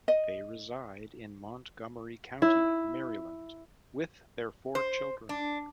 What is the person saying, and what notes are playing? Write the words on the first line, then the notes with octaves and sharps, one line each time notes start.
They reside in Montgomery County, Maryland with their four children.
D#5
E4
C5
D4